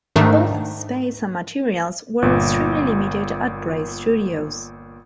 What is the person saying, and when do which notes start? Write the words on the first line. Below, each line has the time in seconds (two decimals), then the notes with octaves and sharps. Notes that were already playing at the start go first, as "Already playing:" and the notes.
Both space and materials were extremely limited at Bray Studios.
0.16 G#2 D#3 A3 D4 D#4
2.22 G1 A#2